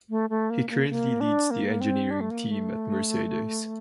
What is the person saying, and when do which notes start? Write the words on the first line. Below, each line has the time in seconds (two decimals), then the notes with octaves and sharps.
He currently leads the engineering team at Mercedes.
0.10 A3
0.30 A3
0.50 A#3
0.70 A#3
0.90 A#3
1.20 D4
1.51 A#3
1.81 C4
2.11 D4
2.21 A3
2.31 A#3
2.51 A3